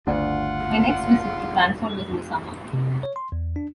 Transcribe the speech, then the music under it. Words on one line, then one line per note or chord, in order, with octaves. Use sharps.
My next visit to Cranford was in the summer.
G1 D2 C#3 D4 F4 F#5
C3
C#5
C6
E2
D4